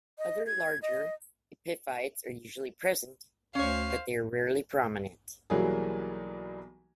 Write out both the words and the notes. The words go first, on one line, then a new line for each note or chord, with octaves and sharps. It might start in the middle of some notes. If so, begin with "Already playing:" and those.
Other larger epiphytes are usually present, but they are rarely prominent.
D#5
G#6
D#5
D2 C#4 C5 C#5 F5
B1 E3 F#3 G3 A#3 G#4